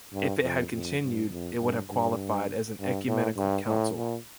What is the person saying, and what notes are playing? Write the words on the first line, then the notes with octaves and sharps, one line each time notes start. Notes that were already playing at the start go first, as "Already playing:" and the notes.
If it had continued, it would have qualified as an ecumenical council.
G2
F2
F2
G2
F2
G2
G2
G2
A2
G2
A2
A#2